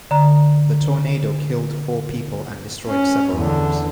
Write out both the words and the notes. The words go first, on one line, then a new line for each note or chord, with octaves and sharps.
The tornado killed four people and destroyed several homes.
D3 A#5
C#4
E2 D3